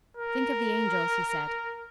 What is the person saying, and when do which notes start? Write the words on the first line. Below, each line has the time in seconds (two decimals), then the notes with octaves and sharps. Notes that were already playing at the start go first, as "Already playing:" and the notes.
"Think of the angels," he said.
0.17 A#4